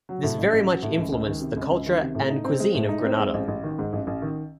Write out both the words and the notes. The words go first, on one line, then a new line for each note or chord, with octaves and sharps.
This very much influenced the culture and cuisine of Grenada.
F#3
A2
A1
A1
F#3
A2
C#2
C#2
D#3
C3
C#2
C#2
D#3
C3
A2
D#4
C4
G#3
A2
D#4
C4
G#3
A1
A1
D#3
G#2
A1
A1
D#3